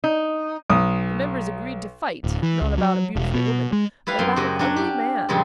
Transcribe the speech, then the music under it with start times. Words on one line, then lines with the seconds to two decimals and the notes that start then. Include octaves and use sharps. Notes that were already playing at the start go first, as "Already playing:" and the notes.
The members agreed to fight, not about a beautiful woman, but about an ugly man.
0.04 D#4
0.70 B1 D#6
2.24 D1
2.42 E3
2.61 C#2
2.78 F#3
3.16 E1
3.34 B2
3.73 G#3
4.07 G3 E4 B4 F5
4.19 F#2 C4 C6
4.36 F#2 C#3 F#4 G4 D#5
4.59 F#3 C#4 D4
4.76 G4
5.29 F2 A#2 C#3 G3 G#3 C4